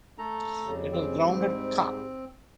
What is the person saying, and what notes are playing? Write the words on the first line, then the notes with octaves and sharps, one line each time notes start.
It was grounded ca.
A3 A4 A#5
F2 C#3 G3
C4
G#2 G3